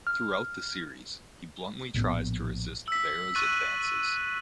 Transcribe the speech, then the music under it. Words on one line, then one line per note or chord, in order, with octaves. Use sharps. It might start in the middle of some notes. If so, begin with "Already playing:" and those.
Throughout the series, he bluntly tries to resist Vera's advances.
F6
A#1 A2 B3
E6 B6
C#6 F#6 A6 D#7 F#7